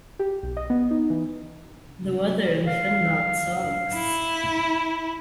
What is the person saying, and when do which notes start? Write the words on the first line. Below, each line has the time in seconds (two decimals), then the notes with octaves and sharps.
The weather in Finland sucks.
0.19 G4
0.43 B1
0.57 D#5
0.70 B3
0.91 D#4
1.10 E3
2.68 F5
3.93 E4